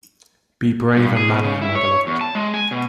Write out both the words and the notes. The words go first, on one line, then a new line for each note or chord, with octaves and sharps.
Be brave and manly, my beloved!
G2
G#4
B2
C#3
E4
C#5
E2
A5
G#3
G#5
B2